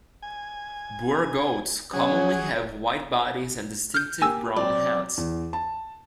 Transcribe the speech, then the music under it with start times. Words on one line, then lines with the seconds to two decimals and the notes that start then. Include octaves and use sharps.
Boer goats commonly have white bodies and distinctive brown heads.
0.22 G#5
1.93 F#3 C#4 G#4
3.94 F6 G6
4.22 A#3 G4 G#5 E6
4.56 F#3 C4 D5
5.17 E2
5.53 A5